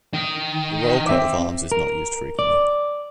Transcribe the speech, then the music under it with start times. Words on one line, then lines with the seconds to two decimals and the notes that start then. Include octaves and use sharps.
The royal coat of arms is not used frequently.
0.14 D#3
1.07 C4 E5 D6
1.72 A#4
2.39 D5